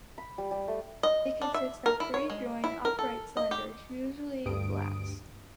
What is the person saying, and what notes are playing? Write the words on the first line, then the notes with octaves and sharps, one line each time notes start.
It consists of three joined upright cylinders, usually glass.
B5
G3
G3
A3
D#5
D4
E5
A#4
E4
C#5
G#3
E4
A#4
A4
D#5
G4
D2 G2 D#6 D7